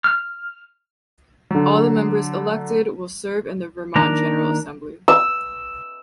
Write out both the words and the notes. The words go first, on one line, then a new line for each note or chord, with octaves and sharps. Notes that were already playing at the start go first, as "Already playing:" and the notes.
All the members elected will serve in the Vermont General Assembly.
F6
D3 F#3
D#3 A#3 D4 A#4 A#5
E6